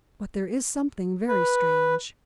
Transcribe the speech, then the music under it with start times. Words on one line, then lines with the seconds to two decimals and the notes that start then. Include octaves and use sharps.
But there is something very strange.
1.28 B4